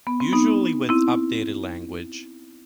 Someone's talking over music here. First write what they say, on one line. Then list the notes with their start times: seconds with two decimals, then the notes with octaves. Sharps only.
Usually with updated language.
0.07 B3
0.20 C4
0.32 B3 D#4
0.89 C4 E4